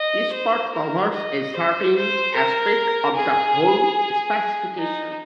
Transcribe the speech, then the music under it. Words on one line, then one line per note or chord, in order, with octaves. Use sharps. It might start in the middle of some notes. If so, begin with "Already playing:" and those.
Each part covers a certain aspect of the whole specification.
Already playing: D#5
C5
A#4
D#5
C5
C5
A#4
G#4
D#4